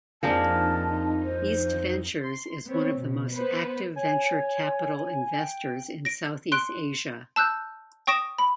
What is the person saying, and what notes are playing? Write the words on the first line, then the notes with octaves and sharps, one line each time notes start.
East Ventures is one of the most active venture capital investors in Southeast Asia.
F2 F3 A#3 C4 D4 D#4 G#4 A5
C5
C6
B3 C4 C#5
B2
B3 B4 C5
C#5 G#5
G5
A#6 D7
C6 F#6 D7
A5 E6 F#6 G6
G5 C#6 D#6 A#6 D7 E7
B5